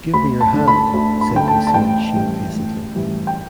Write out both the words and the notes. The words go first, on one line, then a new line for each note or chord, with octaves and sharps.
"Give me your hand," said Hussain shamefacedly.
D2 B5
A5
D3 A3
B5
D2
B5
D3 A3 G5
A5
A5
A1 G5
A2 E3 G3
A1
A2 E3 G3
G5